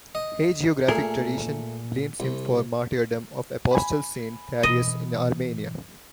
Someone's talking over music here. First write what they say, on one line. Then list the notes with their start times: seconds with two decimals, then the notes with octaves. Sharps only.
Hagiographic tradition blames him for the martyrdom of the Apostle Saint Thaddeus in Armenia.
0.15 D#5
0.88 A#2 A3 G#4 A#4
2.20 C2
3.71 G#5 B5
4.63 B2 E3 D#5